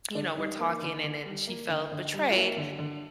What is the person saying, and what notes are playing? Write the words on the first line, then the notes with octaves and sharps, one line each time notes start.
you know, were talking and then she felt betrayed
D3 D4
G3 D#4
A#3
D3
D3
G3
A#3
D3
D3
G3
F4
A#3 E4
D3
D3